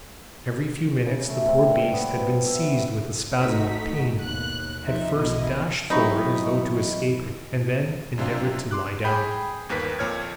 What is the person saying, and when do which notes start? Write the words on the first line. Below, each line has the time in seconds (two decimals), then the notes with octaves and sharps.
Every few minutes the poor beast had been seized with a spasm of pain, had first dashed forward as though to escape it and then endeavoured to lie down.
1.06 C#3
1.30 A3
1.48 C4
1.70 G2
1.93 B3
2.46 E5
3.41 G#1 A3 D#4 F#4 B6
4.20 D#2 B2 F#6
4.83 F3 C4 D#4 E5
5.17 B1 E2 B2 E4 D#5
5.90 E3 F#3 C4 D#4 D#5 E5 B5 C#6
8.18 F#2 C3 D4 F4
8.71 C6 D6 F#6
9.04 G#4 G5 B5 G6
9.69 G1 D#2 A#4 B4 B6
9.99 F2 A#2 C#5 F6 G#6